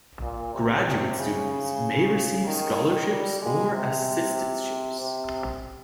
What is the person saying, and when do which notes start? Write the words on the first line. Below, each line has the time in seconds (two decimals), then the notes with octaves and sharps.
Graduate students may receive scholarships or assistantships.
0.22 A#2
0.54 C3
1.18 C#3
2.46 D#3
3.09 G3
3.41 G#3
3.73 C3
5.00 C3